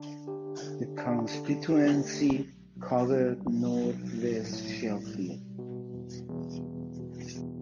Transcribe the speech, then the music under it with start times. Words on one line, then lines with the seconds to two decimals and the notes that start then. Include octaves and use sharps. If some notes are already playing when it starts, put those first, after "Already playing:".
The constituency covered north west Sheffield.
Already playing: D3 D4
0.27 G4
0.63 D3
0.98 D4
1.34 D3
1.69 G4
2.04 A3
2.40 B1
2.76 B1
3.11 G3
3.46 B1
3.82 B1
4.17 A2
4.53 A2
4.88 G3
5.24 B2
5.58 B2
5.93 E2
6.29 E2
6.65 E2
7.00 B2
7.35 E2